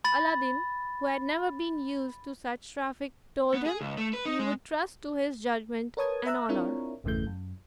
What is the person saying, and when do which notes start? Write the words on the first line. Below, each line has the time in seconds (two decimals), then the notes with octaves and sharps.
Aladdin, who had never been used to such traffic, told him he would trust to his judgment and honor.
0.04 B5 A6
3.54 B3
3.66 G#4
3.81 C#2
3.97 A3
4.13 B4
4.26 D#4
4.39 G#3
5.97 A#4 B4 C#5 A5 D#6 G#6
6.26 E5 A#5 E6 F#6
6.49 C4 D4 E4 F4 A#4 C#5
7.04 G1 E2 C#3 E3 A3 G6
7.26 F#2